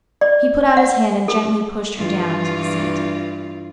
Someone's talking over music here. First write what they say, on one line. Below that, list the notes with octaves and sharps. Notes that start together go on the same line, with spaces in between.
He put out his hand and gently pushed her down into the seat.
D5
F#5
A4
G2 E3 F4